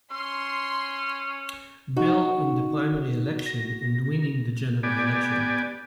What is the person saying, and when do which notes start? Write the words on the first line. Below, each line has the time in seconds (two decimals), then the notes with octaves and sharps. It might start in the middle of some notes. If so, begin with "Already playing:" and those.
Bell in the primary election and winning the general election.
0.11 C#4 C6
1.97 D#4 F#4
3.46 A#6
4.83 B3 G4 D5 G#5